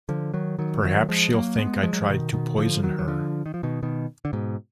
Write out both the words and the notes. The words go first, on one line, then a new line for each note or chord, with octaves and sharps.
Perhaps she’ll think I tried to poison her.
D3 F3
D#3 F#3
D#3 F#3
D#3 F#3
F3 G#3
F#3 A#3
G#3 B3
F3 G#3
F#3
F3
B2 D#3
B2 D#3
D3 F3
D#3 F#3
F#3
D3 F3
D#3
F3
B2 D#3
B2 D#3
D3
G#2 B2